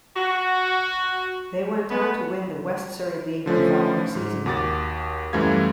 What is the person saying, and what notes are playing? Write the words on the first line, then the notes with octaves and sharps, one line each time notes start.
They went on to win the West Surrey League the following season.
F#4
B3
D3 F3 A3 C#4
G#2
D#2 F#4 D6 A6
F#2 E3 G3 A3 F5 G#6